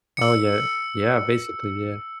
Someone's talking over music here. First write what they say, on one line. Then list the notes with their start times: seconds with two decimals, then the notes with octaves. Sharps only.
Oh, yeah Yeah. Basically, yeah.
0.17 E6 C#7